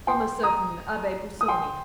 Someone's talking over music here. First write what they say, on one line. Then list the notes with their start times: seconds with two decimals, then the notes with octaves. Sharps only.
"From a certain Abbe Busoni."
0.07 G5 C6
0.43 A#5 D#6
1.41 D#6
1.48 G5 C6